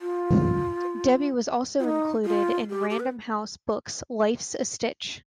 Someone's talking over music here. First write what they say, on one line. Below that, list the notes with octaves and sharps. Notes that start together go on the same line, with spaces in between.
Debi was also included in Random House books' Life's a Stitch.
F4
F4
D#4
F4
G4
G4
B4